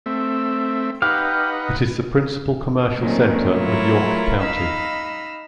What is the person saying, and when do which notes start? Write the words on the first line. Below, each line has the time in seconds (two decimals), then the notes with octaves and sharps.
It is the principal commercial center of York County.
0.06 A3 C4 E5
1.02 D#4 G4 B4 F5 F#5
2.99 A#2 D#3 F#3 A3 C4 C#4
3.51 F#3 A3 E4 F4 A#4 C#5
4.41 D#4 D#5 F5 B5 E6